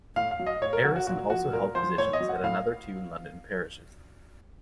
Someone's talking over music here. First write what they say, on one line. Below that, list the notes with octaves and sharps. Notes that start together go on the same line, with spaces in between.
Harrison also held positions at another two London parishes.
A2 F5
F5
F#3
D#5
A2 C#5
A#4
F#3 F#4
F#4
A#2 F#4
F3 F#4
A#2 A#4
F3 C5
A2 C#5
D#5
F#3
F#5
A2 F5